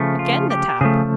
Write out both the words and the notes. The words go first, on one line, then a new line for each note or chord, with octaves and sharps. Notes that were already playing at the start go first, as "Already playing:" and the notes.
Again the tap!
Already playing: C#3 F3 A3
F4
G4
C#3 F3 A3 G#4